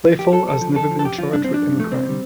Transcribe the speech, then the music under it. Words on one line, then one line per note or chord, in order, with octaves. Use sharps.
Flaifel has never been charged with any crime.
F2 G4
F3 A4
F2 A4
F3
F2 A4
F3
A4
F2 G4
F3 F4
G2 D4
F3 C4
D4
G2
F3 A3
C2 C4
C3 G3